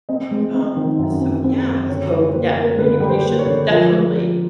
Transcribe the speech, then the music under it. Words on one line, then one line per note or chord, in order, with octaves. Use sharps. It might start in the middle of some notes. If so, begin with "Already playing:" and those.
Um, so, yeah, so, yeah, communication definitely,
C4 D#5
G#3
C4
D#3
F#2
C4
C4
F#2
D3 C#5
G3 C5
A#3 B4
A#3 A#4
D3 B4
G3
C5
A#3
C#5
D3
F3 A#4
G#3
F3